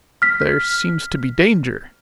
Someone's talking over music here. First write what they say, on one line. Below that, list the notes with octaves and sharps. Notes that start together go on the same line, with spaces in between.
"There seems to be danger."
F6 B6